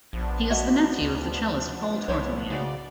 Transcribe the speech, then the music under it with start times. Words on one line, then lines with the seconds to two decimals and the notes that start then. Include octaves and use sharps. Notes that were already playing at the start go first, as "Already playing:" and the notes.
He is the nephew of the cellist Paul Tortelier.
0.13 A#1 F3 B3 D4
0.50 F#4 D#5 E5
1.02 D2
2.08 C2 E4 C5 C#5
2.50 C#3 G#3 F#4 D5